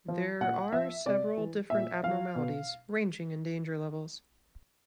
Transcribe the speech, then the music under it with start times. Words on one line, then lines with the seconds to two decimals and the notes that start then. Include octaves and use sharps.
There are several different abnormalities ranging in danger levels.
0.08 F3
0.41 A#2 F#5
0.72 F3 E5
1.06 C3 D5
1.38 E3
1.70 A#2 E5
2.03 F3 F5
2.35 B2